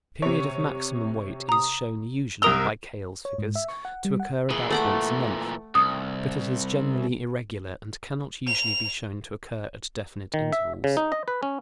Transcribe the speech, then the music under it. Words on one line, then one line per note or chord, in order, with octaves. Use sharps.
A period of maximum weight is shown usually, by Keill's figures, to occur about once a month, but it is generally irregular, and cannot usually be shown to occur at definite intervals.
C3 C#5
A#5 D#6
C2 A#4 D#6 E6 F7 G7
C#5
G#2
E5
C#6
F#5
G3
F#5
A#2 E3 G#4
A3 F#5 D6
C2 D#6
F7
D#3
E5
C#3
D#4
D#5
B4
C#4